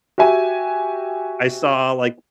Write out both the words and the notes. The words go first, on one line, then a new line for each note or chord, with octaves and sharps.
I saw like
F#4 G4 E5 G#5